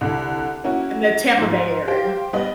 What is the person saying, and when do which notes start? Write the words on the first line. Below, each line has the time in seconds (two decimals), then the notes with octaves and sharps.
and the Tampa Bay area.
0.01 C2 D3
0.64 A#3 C#4 E4 F#4
1.37 G#2 F3
1.88 G4 C5 F5 G5
2.33 G3 B3 B4 D#5